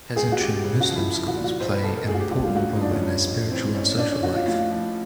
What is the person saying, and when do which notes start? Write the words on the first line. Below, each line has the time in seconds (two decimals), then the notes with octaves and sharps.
Pesantren Muslim schools play an important role in their spiritual and social life.
0.16 C#2 G#4
0.32 F#4
0.40 C#2 G4
0.64 C#3
0.80 F#4
0.88 F3
0.96 E4
1.12 F3 E4
1.28 F#4
1.36 A#2
1.44 F#4
1.60 B1 C5
1.72 B4
1.84 B1 A4
1.95 A#4
2.07 D2 G#4
2.14 F#4
2.19 G4
2.31 D3 F#4
2.43 F4
2.55 D2 F#4
2.74 D#4
2.79 F3 D4
2.91 C#4
3.03 G2
3.27 A1
3.51 E3 C4
3.75 A1 C#4
3.98 A1 D4
4.11 C#4
4.22 A1 F#4
4.35 F4
4.46 A2 F4
4.70 F3